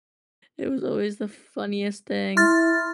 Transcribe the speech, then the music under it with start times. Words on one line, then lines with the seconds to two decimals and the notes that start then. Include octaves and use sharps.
It was always the funniest thing.
2.37 E4 C6 F6 A6